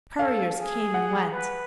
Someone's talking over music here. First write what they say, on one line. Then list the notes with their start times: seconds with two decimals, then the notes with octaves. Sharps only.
Couriers came and went.
0.19 A4 F5
0.56 G#4
0.94 F#5
1.33 B4